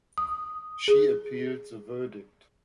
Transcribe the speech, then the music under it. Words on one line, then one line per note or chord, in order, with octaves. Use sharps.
She appealed the verdict.
D#6
G#4